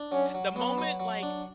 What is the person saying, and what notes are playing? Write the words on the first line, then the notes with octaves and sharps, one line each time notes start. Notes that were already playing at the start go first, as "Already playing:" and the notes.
The moment like,
Already playing: D4
F#3 C#4
F#3
F#3 B3
F#3
F#3
D4